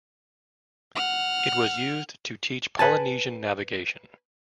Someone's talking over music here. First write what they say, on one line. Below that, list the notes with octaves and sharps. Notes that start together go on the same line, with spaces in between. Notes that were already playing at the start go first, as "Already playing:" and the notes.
It was used to teach polynesian navigation.
F#5 F6
B4 G#5 A5